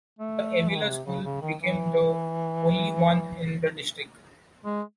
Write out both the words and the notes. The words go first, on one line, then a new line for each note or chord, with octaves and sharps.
The Avilla school became the only one in the district.
A3
E3
D#3
C#3
C3
C#3
C#3
D#3
E3
G#3